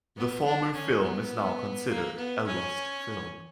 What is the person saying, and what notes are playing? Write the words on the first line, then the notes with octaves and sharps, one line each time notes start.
The former film is now considered a lost film.
B3
D4
C#4
B3
A#3
B3
C#4